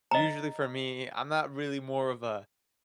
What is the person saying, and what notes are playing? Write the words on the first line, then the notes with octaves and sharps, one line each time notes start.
usually for me, I'm not really more of a
D#5 A#5